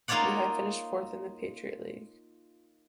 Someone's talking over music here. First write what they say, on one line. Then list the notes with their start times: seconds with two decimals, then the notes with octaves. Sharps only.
Lehigh finished fourth in the Patriot League.
0.08 A#3 D#4 F4 C#5 D5 F#5